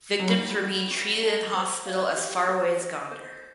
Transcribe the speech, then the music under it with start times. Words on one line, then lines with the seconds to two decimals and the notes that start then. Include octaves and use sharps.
Victims were being treated in hospital as far away as Gonder.
0.19 F#3
0.28 G3 F#4
0.60 F#4
0.91 F#4
1.23 A4
1.54 C5
1.86 F5
2.17 G4
2.48 C5
2.80 D#5
3.11 C5